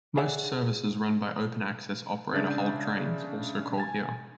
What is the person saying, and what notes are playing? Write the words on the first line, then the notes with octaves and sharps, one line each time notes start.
Most services run by open access operator Hull Trains also call here.
G#4 C#5 D5 E5 F#5
C#3 G#3 D4 E5 G6 A6
G#5 A6